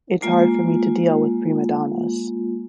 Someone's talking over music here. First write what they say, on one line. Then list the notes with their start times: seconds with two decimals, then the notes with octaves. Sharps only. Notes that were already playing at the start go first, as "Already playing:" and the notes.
It's hard for me to deal with prima donnas.
0.22 G#3 A#3 F4